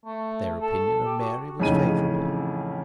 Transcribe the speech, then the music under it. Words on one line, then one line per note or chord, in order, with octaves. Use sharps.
Their opinion of Mary was favourable.
A3
A4
G4
F#4
A1 F2 C#3 D#4 D#7